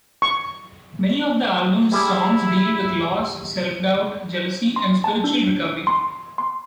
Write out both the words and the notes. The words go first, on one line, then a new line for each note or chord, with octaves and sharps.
Many of the album's songs deal with loss, self-doubt, jealousy, and spiritual recovery.
C#6
G3 E4 G#4 A5
C6
A5
D4
C6
C6